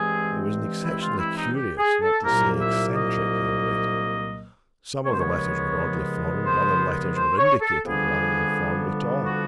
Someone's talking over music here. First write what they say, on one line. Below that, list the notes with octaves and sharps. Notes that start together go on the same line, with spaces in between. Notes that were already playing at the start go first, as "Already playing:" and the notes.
It was an exceptionally curious, not to say eccentric, handwriting--some of the letters were oddly formed, other letters were indicated rather than formed at all.
Already playing: G2 E3 G#3 C4 G#4
E4
F4
E4
D#4
G4
G#4
A4
C2 A#2 F#3 A#3 A#4
E5
D#5
D#2 C#3 F3 G#3 B3 C#5
C5
C#5
C5
C5
C#5
A4
F2 D3 G3 B3 D4 G#4
F#4